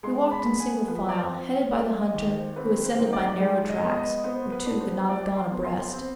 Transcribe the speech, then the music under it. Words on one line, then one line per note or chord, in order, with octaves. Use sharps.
We walked in single file, headed by the hunter, who ascended by narrow tracks, where two could not have gone abreast.
G#3 C6
B5
B3
G#5
F3 B4
D5
C5
C4
G#3 D5
D#5
D#2
C5
C4 B4
C5
G#2
D5
G#3
D#5
B3
D#5
B3 C5
B4
D4
C5
G3 D5
C6
B3
C6
C4